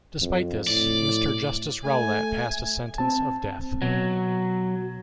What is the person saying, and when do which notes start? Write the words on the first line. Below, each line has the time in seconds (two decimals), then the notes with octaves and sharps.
Despite this, Mr. Justice Rowlatt passed a sentence of death.
0.22 F2
0.67 A2 D5
1.84 A3 G#5
2.98 C4 A5
3.82 B2 F#3